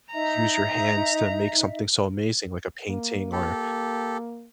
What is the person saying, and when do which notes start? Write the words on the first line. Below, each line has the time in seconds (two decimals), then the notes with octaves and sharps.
use your hands to make something so amazing, like a painting or,
0.13 D#4 D#5 E5 A#5
2.88 A#3
3.32 G4 A4